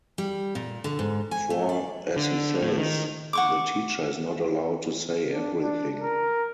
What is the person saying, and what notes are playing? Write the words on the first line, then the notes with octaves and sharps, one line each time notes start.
For, as he says, the teacher is not allowed to say everything.
G3
A#2
D3
G#2
G#5
A3
D5
D3
A2
D#3
F#5 C#6 D6
D4
D4
A#4